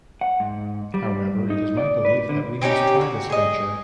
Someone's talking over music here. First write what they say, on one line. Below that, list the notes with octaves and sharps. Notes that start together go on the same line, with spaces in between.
However, it is my belief that we must try this venture.
F#5
G#2
G3
D#4
D5
B4
D3
C4 C#4 D#4 G4
F#4
G#4 D#5